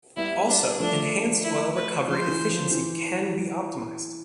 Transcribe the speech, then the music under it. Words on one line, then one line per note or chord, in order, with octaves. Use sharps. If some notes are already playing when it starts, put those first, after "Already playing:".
Also enhanced oil recovery efficiency can be optimized.
G3 B3 E4
D4
F3 A3 D4
E4
B4
F3 C5
E3
F3
E3